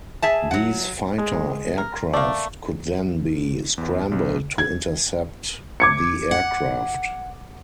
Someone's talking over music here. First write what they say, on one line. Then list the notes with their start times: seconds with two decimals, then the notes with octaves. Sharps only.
These fighter aircraft could then be "scrambled" to intercept the aircraft.
0.22 G#4 E5 A5
0.51 F#3 F#5
1.18 G#3
1.78 A#4
2.13 A3 A#3 D5
3.78 E2
4.12 B1
4.58 G#6
5.80 D6 G#6 C#7
6.31 F#5